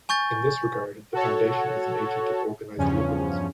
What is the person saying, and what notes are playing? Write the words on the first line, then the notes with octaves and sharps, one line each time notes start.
In this regard, the Foundation is an agent of organized liberalism.
G#5 C#6 G6 A6
F#4 A4 C#5
E2 G2 C#3 F3 C#4